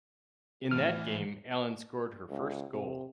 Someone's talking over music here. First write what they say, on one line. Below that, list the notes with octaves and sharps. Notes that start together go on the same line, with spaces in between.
In that game Allan scored her first goal.
E2 A2 F6
C#2
C3